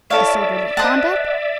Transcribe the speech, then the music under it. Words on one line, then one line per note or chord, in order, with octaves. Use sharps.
Disorderly conduct?
E4 A4 C#5 D5 E5 F5
C5 D#5 F#5 A5